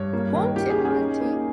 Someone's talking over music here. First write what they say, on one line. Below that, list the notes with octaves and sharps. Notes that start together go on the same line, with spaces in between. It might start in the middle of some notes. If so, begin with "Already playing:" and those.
Won't it, auntie?
Already playing: G2 C#5
A#3
D#3
A#3 G4
G#4
C#4
G#4
D#4
A#3